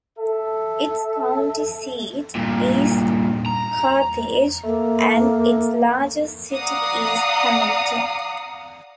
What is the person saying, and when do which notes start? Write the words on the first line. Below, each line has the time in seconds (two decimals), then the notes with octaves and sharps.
Its county seat is Carthage, and its largest city is Hamilton.
0.18 A4 E5
2.35 G2 A#2
3.46 A#5
4.64 A3 A#3
6.51 D5 F5 F#5 A#5 D#6 C7